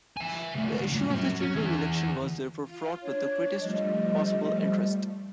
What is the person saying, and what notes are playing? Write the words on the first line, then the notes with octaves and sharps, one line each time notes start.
The issue of the general election was therefore fraught with the greatest possible interest.
E5 G#5
C#2 A3
G2 A#2
F#3 C#4
C#4
E3 G#4
F4
D4 C#5
F3 G3 A3 D#5